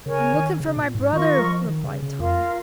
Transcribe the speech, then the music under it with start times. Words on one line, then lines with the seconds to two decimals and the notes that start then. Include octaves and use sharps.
"I'm looking for my brother," replied Tom.
0.06 C#3 A#4 C#5 G#5 C#6
0.33 D#3
0.60 C#3
0.77 A#2
0.95 G#2
1.13 D#3 F4 A#4 D#5 C#6
1.39 F3
1.66 D#3
1.84 C#3
2.02 C#3
2.20 F2 F4 A#4 F5